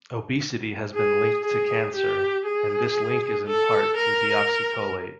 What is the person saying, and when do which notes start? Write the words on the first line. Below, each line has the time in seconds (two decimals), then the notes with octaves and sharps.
Obesity has been linked to cancer, and this link is in part through deoxycholate.
0.95 G#4
1.45 G#4
1.95 G4
2.46 G#4
3.46 A4
3.97 A#4